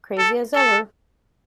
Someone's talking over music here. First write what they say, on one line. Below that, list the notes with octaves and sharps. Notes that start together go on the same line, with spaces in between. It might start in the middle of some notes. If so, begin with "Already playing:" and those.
Crazy as ever!
A4
A4